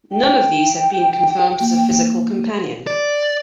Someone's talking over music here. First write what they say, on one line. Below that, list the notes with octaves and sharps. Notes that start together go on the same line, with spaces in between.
None of these have been confirmed as a physical companion.
G5
A#3
D5